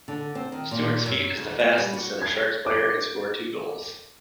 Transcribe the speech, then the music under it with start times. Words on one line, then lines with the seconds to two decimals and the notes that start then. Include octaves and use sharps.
Stuart's feat is the fastest that a Sharks player has scored two goals.
0.08 D3
0.35 C4
0.52 D#3
0.71 A#2
1.06 F#2
1.37 D2
1.59 B3
1.78 G3
1.93 F#4
2.22 G#6
2.66 D6